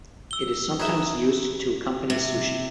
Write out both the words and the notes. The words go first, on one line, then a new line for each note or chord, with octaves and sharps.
It is sometimes used to accompany sushi.
E6 G7
D#4 F#4 G#4 B4 E5
C3